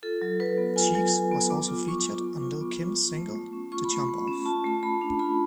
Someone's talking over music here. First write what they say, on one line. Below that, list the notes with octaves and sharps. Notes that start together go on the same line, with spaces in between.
Cheeks was also featured on Lil' Kim's single, The Jump Off.
F4 A4
F#3
F#3 B4
B3
F4 G#5
F#3
F#3
B3
B3 D6
F4
B3 C#6
F4
B3
F4
B3
F4
F4
A3
A3
C#4
F4 C#6
B5
A3
C#6
A3
C#4
F4 A5
A3
A3 B5
D4
F4 B5